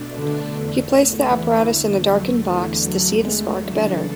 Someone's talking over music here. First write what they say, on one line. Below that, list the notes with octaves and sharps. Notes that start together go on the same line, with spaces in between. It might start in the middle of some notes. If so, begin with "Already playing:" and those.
He placed the apparatus in a darkened box to see the spark better.
Already playing: B2 A3 D4
D3
E2 D3 A3
E3
E2 D3 F#3 A3
E3
F#3
G#3
C#3 E3 F#3 A3 D4 A4